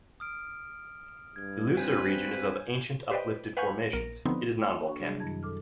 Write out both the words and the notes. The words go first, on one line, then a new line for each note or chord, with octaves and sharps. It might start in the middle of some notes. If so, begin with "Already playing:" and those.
The Leuser region is of ancient uplifted formations - it is non-volcanic.
D#6 F6 D7
G2 G#6
C4 F#4 B4 G#5 G6 D#7
G4 B4 C5 D5 D#5 G5
B4 F5 F#5 G#5 C#6 G6
A#1 A#4
D3 F3 B3 C4 D#4
A#3 G5
D4 F#4 C#6
C3 F#3 G3 D4 F#4 G#4
F#2 D#3 F#3 E4 A5 G#6
A4 D6 F6